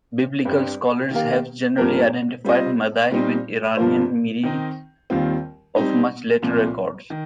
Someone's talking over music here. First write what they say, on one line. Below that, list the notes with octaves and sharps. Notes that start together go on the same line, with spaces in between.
Biblical scholars have generally identified Madai with the Iranian Medes of much later records.
G2 G3 C4
D#3 A#3 G4 A#4 F5
G2 F3 A#3 G4 A#4
G3 C4 F4 D#5
A#2 G3 C4 D#4
G2 F3 A#3 F4 C5
D#3 C4 D#4
D#2 D#3 G3 C4 F4
G3 C4 D#4
C2 A#2 F3
D#3